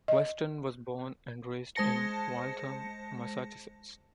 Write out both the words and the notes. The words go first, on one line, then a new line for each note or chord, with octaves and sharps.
Weston was born and raised in Waltham, Massachusetts.
D#5
G#3 C5 A5 A#6 C#7